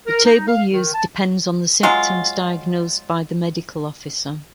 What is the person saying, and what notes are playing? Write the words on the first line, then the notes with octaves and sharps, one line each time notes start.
The table used depends on the symptoms diagnosed by the medical officer.
A#4
D#4
F5
D#3
A5
F#3 G#3 F4